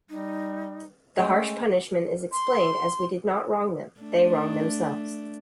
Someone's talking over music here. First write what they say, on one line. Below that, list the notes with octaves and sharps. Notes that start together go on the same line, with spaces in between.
The harsh punishment is explained as We did not wrong them; they wronged themselves.
G3 D#4
G#3 A3 C#4 G5
C6
A3 D4